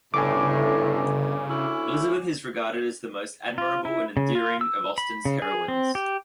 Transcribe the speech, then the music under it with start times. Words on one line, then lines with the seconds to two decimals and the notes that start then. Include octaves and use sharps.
Elizabeth is regarded as the most admirable and endearing of Austen's heroines.
0.14 G1 A2 C#3 G#5 D6
1.50 D2 C#4 E4
3.58 F4
3.85 E4
4.17 C#3
4.35 F4
4.61 E6
4.98 B5
5.25 C#3
5.42 G#4
5.68 C4
5.95 G4